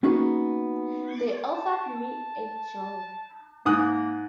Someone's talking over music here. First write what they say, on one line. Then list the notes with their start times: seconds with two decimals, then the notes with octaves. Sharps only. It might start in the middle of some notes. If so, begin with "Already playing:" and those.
They offered me a job.
0.03 A#3 B3 C#4 D#4 F#4 G#4
1.55 A5
3.65 G#2 A#3 D#6 F#6